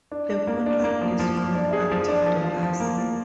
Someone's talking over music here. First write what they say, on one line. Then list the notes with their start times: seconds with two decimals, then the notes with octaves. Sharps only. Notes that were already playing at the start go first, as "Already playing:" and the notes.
The contract is worth up to dollars.
0.12 D4
0.30 D4
0.47 A#3
0.66 D4
0.84 A#3
1.01 F3
1.20 F3
1.37 F3
1.55 D4
1.73 G#4
1.91 F3
2.08 D4
2.26 F3
2.44 F4
2.63 F3
2.80 A#3
2.98 F3